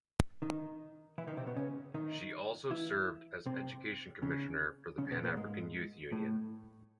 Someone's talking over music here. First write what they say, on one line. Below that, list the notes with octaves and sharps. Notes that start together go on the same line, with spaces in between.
She also served as education commissioner for the Panafrican Youth Union.
D#3 D#4
E3 E4
D#3 D#4
C3 C4
B2 B3
C#3 C#4
D#3 D#4
E3 E4
C3 C4
C#3 C#4
C#3 C#4
B2 B3
A#2 A#3
G#2 G#3
A2 A3